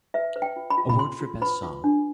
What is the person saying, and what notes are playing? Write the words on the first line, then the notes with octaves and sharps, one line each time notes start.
Award for Best Song.
B4 E5
B4
G5
F4
B5
F4
B5
F4 C6
F4
B4 B5
F4
D4